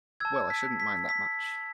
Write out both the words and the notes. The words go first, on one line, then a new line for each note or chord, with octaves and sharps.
Well, I shouldn’t mind that much!
A5 E6 G#6
B6
B6
B6